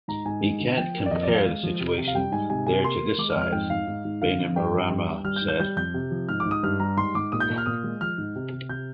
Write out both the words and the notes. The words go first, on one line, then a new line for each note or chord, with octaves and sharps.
He can't compare the situation there to this side, Bainimarama said.
G#2 A#5
G#2 G#5
G#3
D3
F3 G5
A#3
D5
F2 D#5
D5
F3
F5
G#3
F3
C3
C3
F5
G3 G5
G#2 G#5
C3 G#5
C3 G#5
A#3 C6
A#3
G#3 D6
F6
F2
F6
G#2 G5
G#2 F5
G#2
G#2
D3 F5
F2
G2 G5
F3
G2
G2
G3 F6
G6
G#2
G6
G3 G6
F2 G6
C3
F3
G#2 F6
D6
G#2
D#6
G2 F6
G3 A#5
G#2 C6
G#2 D6
A#2 D#6
G6
A#2
F6
A#2 D#6
G#3
F3 F6
G#2
C3
C3
C3 G6